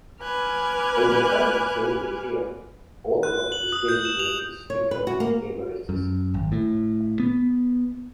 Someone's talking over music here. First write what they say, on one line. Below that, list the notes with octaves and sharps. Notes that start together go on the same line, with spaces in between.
In the current Assembly term, Oliver is designated Speaker Emeritus.
B4 G#5 D6 F6 F#6 G#6
F#6
F#7
D#6
G6
E7
F7
C#5
B4
F#4
A#3
F#2
G#1
A2
B3